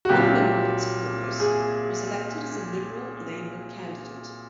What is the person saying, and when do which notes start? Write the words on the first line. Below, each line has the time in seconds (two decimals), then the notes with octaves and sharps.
One member of its caucus was elected as a Liberal-Labour candidate.
0.05 F#4
0.09 C2 A#2 F#3 G4
1.40 G#4